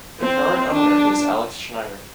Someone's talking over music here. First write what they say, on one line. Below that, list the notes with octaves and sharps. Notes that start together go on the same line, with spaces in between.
The current owner is Alex Shnaider.
C4
D4